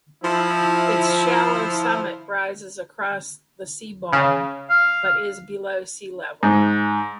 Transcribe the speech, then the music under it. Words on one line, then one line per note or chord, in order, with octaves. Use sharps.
Its shallow summit rises across the sea bottom but is below sea level.
F3 E4
C#3
F5
G#2